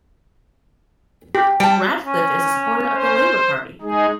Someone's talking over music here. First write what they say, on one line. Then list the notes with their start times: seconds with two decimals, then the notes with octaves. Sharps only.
Radcliffe is a supporter of the Labour Party.
1.35 G4
1.60 G3 G5 A5
2.06 C#4
2.90 C5
3.82 G#3 D#4 G#4